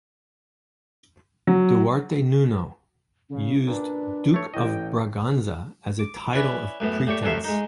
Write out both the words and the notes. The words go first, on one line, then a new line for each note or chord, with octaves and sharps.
Duarte Nuno used "Duke of Braganza" as a title of pretense.
F#3
C#3 C#4
A#2 D4 B4
A3 C#5
A1 E4 D#5 G5
D6
C#4 E4 B4 D5
F#2 A2 B3
A2 G4 D5 C#6
A1 F#2 C3 A3 E5 F5
G#3 D#4